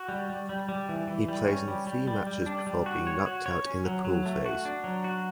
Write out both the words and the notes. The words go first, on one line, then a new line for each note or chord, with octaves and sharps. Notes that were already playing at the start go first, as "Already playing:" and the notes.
He plays in three matches before being knocked out in the pool phase.
Already playing: F#4
G3
G3
G3
G3
E3
E3
G3
C#4
G3
G3
G3
G3
D4
G3
F#4
C#5
F#4
C#5
C#4
F#3
F#3
A3
F#4
D4
F#3
F#4